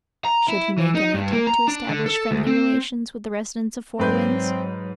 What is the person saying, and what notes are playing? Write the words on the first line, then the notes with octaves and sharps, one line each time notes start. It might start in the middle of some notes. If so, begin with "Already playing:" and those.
Should he make any attempt to establish friendly relations with the residents of Four Winds?
A#5
E4
E3
D#4
G2
A#3
A#5
D4
D3
A4
D2
C4
G#2 F#3 C4 B4 G6